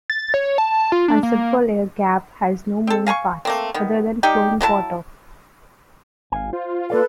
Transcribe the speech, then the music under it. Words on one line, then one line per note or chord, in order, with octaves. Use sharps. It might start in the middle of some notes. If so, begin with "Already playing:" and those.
A simple air gap has no moving parts, other than flowing water.
A6
C#5
A5
F4
D4
A#3
C4 A4
F5 G#5 A#5 C#6
A3 A#3 C4
D#3 B3
G3 D#4 G4
F#3 E4 A#4 A5
G#1 F5 F#5 G#5
F4 C5
A#3 A4 B4 D5 F5